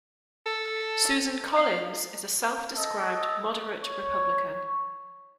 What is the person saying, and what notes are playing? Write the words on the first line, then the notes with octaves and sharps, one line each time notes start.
Susan Collins is a self-described moderate Republican.
A4
F5
A4 D#5
C#5